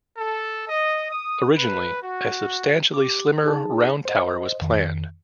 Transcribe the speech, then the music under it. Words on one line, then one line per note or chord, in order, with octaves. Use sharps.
Originally a substantially slimmer round tower was planned.
A4
D#5
D#6
B4
F#4
G4 D6
D#4 G#4 A5
C5 D#5
F2 D#3